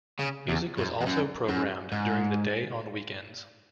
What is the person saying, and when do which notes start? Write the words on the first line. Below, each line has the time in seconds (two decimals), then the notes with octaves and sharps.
Music was also programmed during the day on weekends.
0.19 C#3
0.48 E2
0.77 F#2
1.01 E2
1.06 F#2
1.49 F#2
1.92 G#2